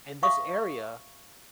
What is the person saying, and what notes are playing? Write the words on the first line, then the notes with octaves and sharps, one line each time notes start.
in this area
E5 F5 C#6 D#6